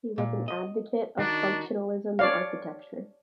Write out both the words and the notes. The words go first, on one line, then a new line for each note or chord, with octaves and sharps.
He was an advocate of functionalism in architecture.
A#2
D#5
D#3 D4 D#4 F#4
C#5 D5 F5